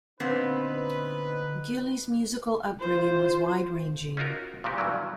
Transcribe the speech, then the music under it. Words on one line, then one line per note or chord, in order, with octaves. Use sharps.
Gillies' musical upbringing was wide-ranging.
A#2 D3 B3 C4 D#4 B4
F4 C5
C#4 D#4 F4 F#4 A#4
A#2 C#3 G#3 F#4 G4
G2 B2 D#3 E3 F#3